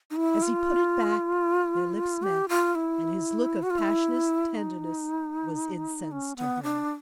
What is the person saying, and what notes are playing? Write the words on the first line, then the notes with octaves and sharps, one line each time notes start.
As he put it back their lips met, and his look of passionate tenderness was incense to her.
D#4
E4
F4
G4
F4
E4
F#4
F4
E4
D#4
C#4
B3
D4